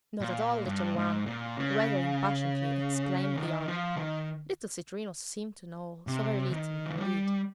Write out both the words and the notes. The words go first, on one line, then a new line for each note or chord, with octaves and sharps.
"Not at all, little one," rather impatiently exclaimed the other. Little Citrinus seemed to know so very little, indeed.
A#2
G2
G#2
A#2
C#3
D#3
F3
D#3
C3
D#3
F3
G3